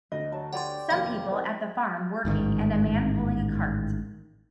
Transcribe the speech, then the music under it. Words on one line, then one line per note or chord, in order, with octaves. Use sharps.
Some people at the farm working and a man pulling a cart.
D2 D#5
F#3 A5
G4 C#5 D5 F#5 G#5 C6
F1 D#2 F5
C2
A1 G#2 B2 D#3